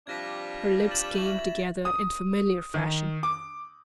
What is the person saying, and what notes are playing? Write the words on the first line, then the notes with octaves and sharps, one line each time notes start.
Her lips came together in familiar fashion.
C3 F3 G3 D4 G#6 A#6 B6
A6 E7 F#7
E4 F#4 E5 F#7
D#6
D#3
D6